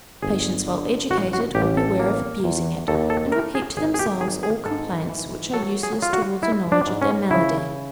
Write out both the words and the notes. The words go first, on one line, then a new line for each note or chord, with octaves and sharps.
Patients well educated will beware of abusing it, and will keep to themselves all complaints which are useless towards a knowledge of their malady.
G1 G#4
D3
A1 F#4
F#4
A1 G4
A4
A#3
E2
D#2 A4
A4
A3 A#4
G#4
G#1 G#4
G#4
G4
G#1 G#4
G#4
G#2 A4
E3
F#3 A4
G#4
F#3 F4
F#4
G#3 E4
D4
G#2
C#4
C#3 E4